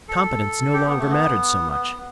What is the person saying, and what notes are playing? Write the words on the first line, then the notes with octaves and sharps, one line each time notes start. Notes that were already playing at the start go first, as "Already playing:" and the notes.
Competence no longer mattered so much.
A4
G4
B3
A3
B3
B3